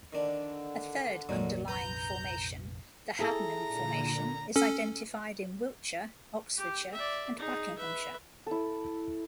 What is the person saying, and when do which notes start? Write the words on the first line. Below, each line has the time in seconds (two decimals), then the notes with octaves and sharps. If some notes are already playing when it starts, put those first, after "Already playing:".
A third underlying formation, the Haddenham Formation, is identified in Wiltshire, Oxfordshire and Buckinghamshire.
0.13 D3 D#3 D4
1.29 F1 A#1 A#2 D#3 F#3
1.68 B4 A#5 G6
3.19 E4 G#4 A4 A#5
3.66 A#2 D3
4.56 C#4 A4
6.57 G4
6.94 D5 E5
7.38 D#4 G#4
7.78 B4 E5
8.47 E4 A4